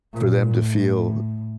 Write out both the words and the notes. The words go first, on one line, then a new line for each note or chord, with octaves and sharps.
for them to feel,
A#2
A2